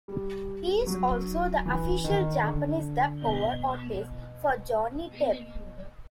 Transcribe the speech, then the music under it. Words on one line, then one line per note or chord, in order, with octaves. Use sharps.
He is also the official Japanese dub-over artist for Johnny Depp.
G3
F#3
E3
D#3
D3
B2